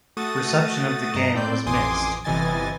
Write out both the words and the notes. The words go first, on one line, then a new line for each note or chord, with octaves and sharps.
Reception of the game was mixed.
A3 F#4 D#6 A6 D#7
G2 D#5 A#5
A2 C4 D5 G6
A1 F2 G#5 C6 D6 D#6
G1 C3 E3 D#5 G#5 A6